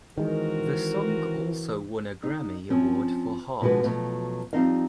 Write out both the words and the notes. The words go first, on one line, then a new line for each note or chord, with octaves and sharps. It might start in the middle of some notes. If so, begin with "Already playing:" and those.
The song also won a Grammy Award for Hart.
D#3 E3 G#3 C4 F#4 A#4
D#4
F3 C4 C#4
B2 D3 F3 G#3 F#4 B4
B2 F3 F#3 A3
F3 G3 C4 D#4 D#5 F5